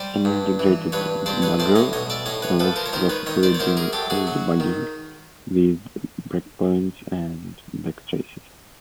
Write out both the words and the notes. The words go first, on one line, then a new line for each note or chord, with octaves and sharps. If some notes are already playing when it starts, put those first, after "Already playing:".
An integrated debugger allows graphically doing all debugging with breakpoints and backtraces.
Already playing: G3 C5 D5
G2
E3
G2 B4 C#5
G2 C5 D5
B4 C#5
A2 C5 D5
C#5 D#5
B1 C#5 D#5
D5 E5
A2 C#5 D#5
B4 C#5
F3 A4 B4
A#4 C5
C#5
D#3 A#4 C5
B4 C#5
D#3 C#5 D#5
C5 D5
C#5
F#2 A#4 C5
G#4 A#4
F#2 G4 A4
F#4 G#4
F#3
D#3